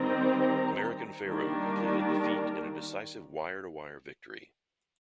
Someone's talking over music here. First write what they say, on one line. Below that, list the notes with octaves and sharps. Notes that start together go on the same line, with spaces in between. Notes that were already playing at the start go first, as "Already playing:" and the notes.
American Pharoah completed the feat in a decisive wire to wire victory.
Already playing: D#3 G3 C4 D#4 A#5
D#3 G3 A#3 D4
A#4